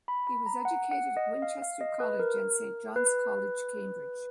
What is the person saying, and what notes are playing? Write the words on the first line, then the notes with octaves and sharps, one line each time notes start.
He was educated at Winchester College and Saint John's College, Cambridge.
B5
B5
A#5
F#5
F#5
D#5
F5
F5
D#5
B4
A#4
B4